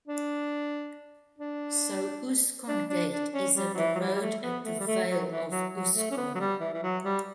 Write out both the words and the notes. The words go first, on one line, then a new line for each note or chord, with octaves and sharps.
So Usc-con gait is at the Road at the vale of Usc-con.
D4
D4
D4
D4
D4
C#4
G3
F#3
E3
F#3
G3
G3
A3
B3
A3
G3
A3
F#3
E3
F#3
F#3
A3
C#4
B3
F#3
G3
E3
E3
F#3
G3